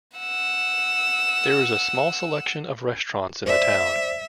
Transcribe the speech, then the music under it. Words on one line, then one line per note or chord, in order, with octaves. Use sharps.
There is a small selection of restaurants in the town.
F#5 E6
C5 D5 E5